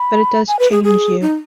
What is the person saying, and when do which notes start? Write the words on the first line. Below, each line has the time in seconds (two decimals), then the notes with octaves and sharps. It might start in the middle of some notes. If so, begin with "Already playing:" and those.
But it does change you.
Already playing: B5
0.48 G#5
0.59 B4
0.71 G#4
0.84 G#4
1.21 D#4